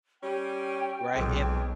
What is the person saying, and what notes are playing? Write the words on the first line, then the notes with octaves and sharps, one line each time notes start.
right? And
G3 C#4 G5
B1 F2 G#2